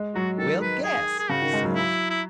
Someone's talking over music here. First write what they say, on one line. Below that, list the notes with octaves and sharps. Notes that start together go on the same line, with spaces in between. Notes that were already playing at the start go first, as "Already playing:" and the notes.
"Well, guess," he says.
Already playing: G#3
F#3 F#4
D#3 A4
B4
G#4
G#4
C#3 F#4
D#3
G#3
F#3
E4
E4